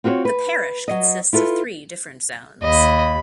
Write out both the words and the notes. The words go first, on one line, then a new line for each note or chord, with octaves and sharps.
The parish consists of three different zones.
C4 F4 F#4 B4 C#5
B4
F#3 D#5
E4 F4 A4 B4
D#2 D#5 B5